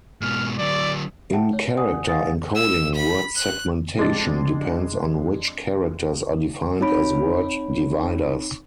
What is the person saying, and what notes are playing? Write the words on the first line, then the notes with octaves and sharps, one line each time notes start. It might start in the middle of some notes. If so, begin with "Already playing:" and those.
In character encoding, word segmentation depends on which characters are defined as word dividers.
G#2 B2 F6
D3 F#3 D5
E5 F#5 G5 A5
C#5
D5 F#5 G#5 D#6
F5 F#5 G#5 D#6 A6
E6
B5
F#6
F2 G#3 D4 A6
C4 D#4 C#5 B5 D7